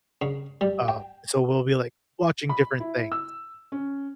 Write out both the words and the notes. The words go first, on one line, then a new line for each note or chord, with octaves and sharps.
um, so we'll be, like, watching different things,
C#3
G3
G5
B5
E4
E6
C#4